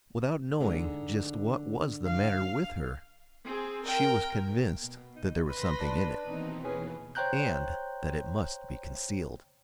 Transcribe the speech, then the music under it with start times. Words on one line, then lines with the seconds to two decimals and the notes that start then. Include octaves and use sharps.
Without knowing just what was the matter with her she was convinced that there was something in it, and that it must be concealed.
0.60 D3 G#3 D#4
2.05 F5
3.44 C4 G#4
3.86 A#4 G5
4.80 B2
5.16 D#4
5.50 B4 B5 C6 A#6
5.81 D4
6.24 D#2 B2 E3 C4 D#4
6.65 C#4 G#4 B4
7.15 C5 C#5 G5 A#5 F#6 G6